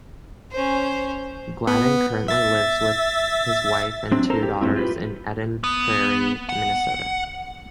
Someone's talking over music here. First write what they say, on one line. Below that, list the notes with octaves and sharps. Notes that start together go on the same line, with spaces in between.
Gladden currently lives with his wife and two daughters in Eden Prairie, Minnesota.
C#4 C5
B3
E5 A6
F#3 C4 D4
A4 A#4 C5 A#5
G4
G2 F#3 A3 C4 E4
F4 G4 B4
B3
F#5